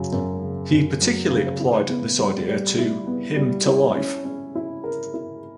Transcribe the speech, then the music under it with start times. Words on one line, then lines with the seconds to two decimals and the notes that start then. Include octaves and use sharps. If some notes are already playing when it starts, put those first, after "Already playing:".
He particularly applied this idea to "Hymn to Life".
Already playing: F#2 C#3 F#3
0.13 F#2
0.42 C#3
0.72 F#2
1.02 F#3
1.30 C#3
1.60 E4
1.90 B3
2.19 G3
2.48 G3
2.79 E4
3.07 B3
3.36 G3
3.67 E4
3.95 C#4
4.25 C#4
4.55 E4
4.84 A#4
5.14 E4